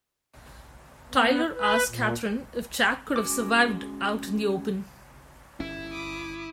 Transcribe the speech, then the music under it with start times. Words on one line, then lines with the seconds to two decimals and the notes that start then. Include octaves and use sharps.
Tyler asks Katheryn if Jack could have survived out in the open.
1.11 B3
1.55 B4
1.88 A#2
3.16 G#3 C#4 F#4 D6
5.60 G1 C#4 E4
5.91 B5 D6 D#6